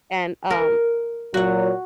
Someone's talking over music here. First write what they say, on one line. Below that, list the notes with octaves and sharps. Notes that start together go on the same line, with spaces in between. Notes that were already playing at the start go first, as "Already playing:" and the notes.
And, um
A#4
A#2 F#3 F#4 F#5